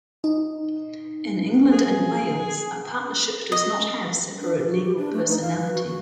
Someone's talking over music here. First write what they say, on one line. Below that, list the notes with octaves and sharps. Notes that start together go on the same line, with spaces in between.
In England and Wales, a partnership does not have separate legal personality.
D#4
G#4
D#5
D4
G4
F#4
G4
D4
A3
D#4
F5
B4
F#4
F#4